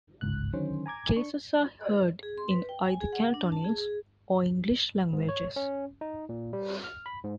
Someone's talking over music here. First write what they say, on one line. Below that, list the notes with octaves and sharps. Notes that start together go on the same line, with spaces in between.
Cases are heard in either the Cantonese or English languages.
G1 C#2 G#2 F#6
D3 D#3 F#3 C#4 C5
G#5 A#5 D6 G#6
D4 C#6
G#4
C6
B4
G5
G#5
G#4
F#5
D4
A5
G#4
G#4
G#2
C#5
C#4
D#4
A#2
G3
F6
B5
G#2